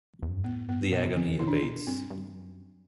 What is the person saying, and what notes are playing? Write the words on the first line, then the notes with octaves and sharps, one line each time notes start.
The agony abates.
E2
F#2
G2
A2 B3
G2 B3
B2 B3
C3
D3 C4
B2 E4
D4
E4
B2
G2 C4
G2
F#2